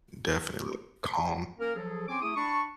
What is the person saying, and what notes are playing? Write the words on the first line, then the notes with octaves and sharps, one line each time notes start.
Definitely calm.
A#3 C#4 A#4
F3 F#3 G#4 A4
C4 C#4 G#5 C6 D6
A3 E4 G#4 D6 D#6
D4 B5 C#6